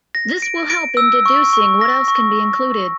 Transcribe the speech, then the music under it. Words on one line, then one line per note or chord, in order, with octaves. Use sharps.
This will help in deducing what else can be included.
A#6
D7
D7
E6
C#6
C#6
A#6
C#6